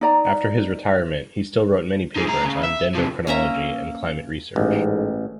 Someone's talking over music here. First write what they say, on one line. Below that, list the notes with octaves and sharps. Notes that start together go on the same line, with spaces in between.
After his retirement, he still wrote many papers on dendrochronology and climate research.
D#4 D5 A#5
D#4 G#4
A3 A#5
C#3
E5
C3 F3
A#3 C#4 E5 A#5
A1 G#2